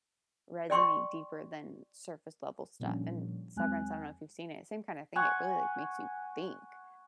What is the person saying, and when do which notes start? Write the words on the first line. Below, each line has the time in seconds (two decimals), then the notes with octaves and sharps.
resonate deeper than surface level stuff, and Severance, I don't know if you've seen it, same kind of thing, it really, like, makes you think,
0.70 D5 G5 C6 C#6
2.80 A#2 D3 F3 G3 C#4
3.56 E2 F#3 G#3 C4 G#5 F#6
5.16 F#5 G#5 C#6